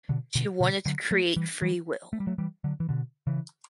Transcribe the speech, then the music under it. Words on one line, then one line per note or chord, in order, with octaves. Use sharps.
She wanted to create free will.
B2 D3
B2 D3
B2 D3
D3 F#3
F#3 A3
E3 G3
E3 G3
A3
G3
F#3 A3
E3 G3
D3 F#3
E3
B2 D3
C#3 E3